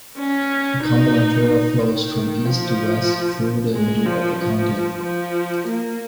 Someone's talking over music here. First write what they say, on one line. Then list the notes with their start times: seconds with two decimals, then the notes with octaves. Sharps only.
The Cumberland River flows from east to west through the middle of the county.
0.18 C#4
0.83 D#4
1.47 D#4
1.79 D#3
2.45 F3
3.73 G#3
4.06 F3
4.39 F3
5.04 F3
5.68 A#3